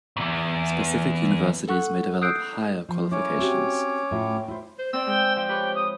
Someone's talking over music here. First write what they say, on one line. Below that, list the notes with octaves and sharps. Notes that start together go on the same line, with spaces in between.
Specific universities may develop higher qualifications.
E2 G#2
A4 F#5 C#6 F#6
D#6 E6 F#6 G6 C7 D7
F3
C#4 E4 C#5 D6
C4 F#4 G4
A2 E4 F4
E4 F4 C5
C5
C4 D5 G5 E6
G#3 G5
F3 G5
G4 B4 C#5
D#6